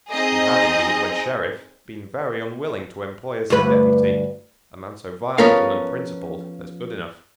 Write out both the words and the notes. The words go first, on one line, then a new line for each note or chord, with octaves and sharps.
He had, indeed, when Sheriff, been very unwilling to employ as his deputy a man so violent and unprincipled as Goodenough.
C4 D#4 G#4 D#5 A#5
D2 G2 B4
F3 B3 C#4 A4 A#4 F5